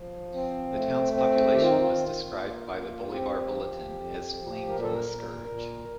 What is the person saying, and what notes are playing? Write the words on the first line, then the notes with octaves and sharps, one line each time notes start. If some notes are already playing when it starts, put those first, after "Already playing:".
The town's population was described by the "Bolivar Bulletin" as "fleeing from the scourge".
Already playing: F3
C4
A3
C4
D#3 G4
F4
D#4
F4
D#3
A#3
A#3
C4 G4
F3
F2
F3
A#2 A#4
A4
A#4
A#2
A#2